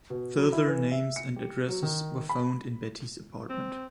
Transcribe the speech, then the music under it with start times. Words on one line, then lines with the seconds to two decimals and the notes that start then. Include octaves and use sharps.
Further names and addresses were found in Betty's apartment.
0.10 B2
0.37 F#3
0.52 E4
0.67 E3
0.92 E5
1.16 C#7
1.36 G4
1.68 F#3
1.83 D#3
2.29 B5
3.49 C4